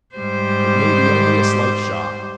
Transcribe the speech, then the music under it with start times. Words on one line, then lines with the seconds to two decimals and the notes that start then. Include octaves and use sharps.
"It may be only a slight shock."
0.16 G#2 G3 C5